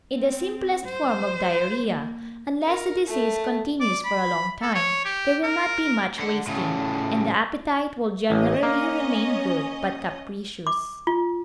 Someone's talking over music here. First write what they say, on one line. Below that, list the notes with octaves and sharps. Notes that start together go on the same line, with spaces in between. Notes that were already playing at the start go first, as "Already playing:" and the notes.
In the simplest form of diarrhoea, unless the disease continues for a long time, there will not be much wasting, and the appetite will generally remain good but capricious.
C4
C5
A#3
A#4
A3
D5
B5
A4
C#5
G4
A#4
D3 F#5
A2 C#3
A1 C#4 D#5
A#3
D6
F4